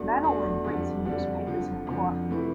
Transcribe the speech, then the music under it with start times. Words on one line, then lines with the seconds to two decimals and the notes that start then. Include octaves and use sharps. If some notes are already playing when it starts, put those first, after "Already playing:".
Manolin brings him newspapers and coffee.
Already playing: E2 B2 A3 D4
0.24 E2 B2 A3 D4
0.65 F2 D3 G3 D4
1.06 F2 D3 G3 D4
1.46 F2 D3 F3
1.87 F2 D3 F3
2.28 C3 E3 A3 E4